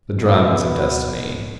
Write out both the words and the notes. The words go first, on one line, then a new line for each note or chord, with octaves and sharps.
The drums of Destiny!
B2